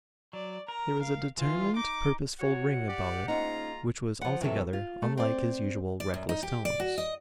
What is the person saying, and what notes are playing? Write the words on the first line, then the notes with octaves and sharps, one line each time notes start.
There was a determined, purposeful ring about it which was altogether unlike his usual reckless tones.
F#3 D5
A#4 A#5
F5
E3 F4
D#4 D6
F#4 C#5 F#5
G4 D5
G#2 A#3 C#4 D#4 F4 A#5
F3 F#5
E2 C3 F#3 A4
F4
A3
C4 D5
D5
F#2
D#4
G4
D5
F#4
D#5